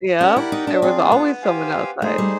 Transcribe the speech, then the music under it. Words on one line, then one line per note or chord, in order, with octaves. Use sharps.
Yeah, there was always someone outside.
C#4 G4 A#4 D5 F#5
E4
D#4
D4
C4 D4 F4 G#4
B3
G4 C5 F5 G#5
A3 D#4 G#4 C5
G3